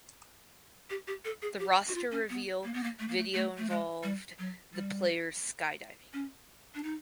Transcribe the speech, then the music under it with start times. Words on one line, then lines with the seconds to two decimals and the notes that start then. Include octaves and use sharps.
The roster reveal video involved the players skydiving.
0.90 G4
1.07 G4
1.25 A4
1.42 G#4
1.60 G4
1.88 F#4
1.95 F4
2.11 C#4
2.30 B3
2.64 A#3
2.74 B3
2.83 A#3
3.00 A3
3.08 A#3
3.17 A3
3.34 A3
3.58 A3
3.69 G#3
4.03 G3
4.39 F#3
4.74 G3
6.13 C#4
6.75 D4
6.83 D#4